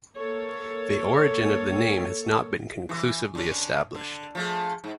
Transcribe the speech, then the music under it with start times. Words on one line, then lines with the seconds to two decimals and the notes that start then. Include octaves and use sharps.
The origin of the name has not been conclusively established.
0.17 A#3 A4 C#5
2.89 E3
3.35 D3 C#4
3.95 D3
4.35 F3 A3 G#4
4.84 G#2